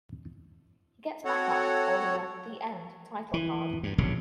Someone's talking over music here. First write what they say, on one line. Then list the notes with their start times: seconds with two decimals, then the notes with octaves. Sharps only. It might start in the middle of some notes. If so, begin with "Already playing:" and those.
He gets back up, holding a 'The End' title card.
1.25 C4 F#4 A4 C#5 F#5
3.34 E3
3.83 G2
3.98 E1 A#1 G2 C#3